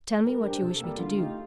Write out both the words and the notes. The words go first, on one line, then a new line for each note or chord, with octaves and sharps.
Tell me what you wish me to do.
G3 A#4
D4 G4 C5
C3 A4
G3 A#3
D3 F4
A3 D#4 G4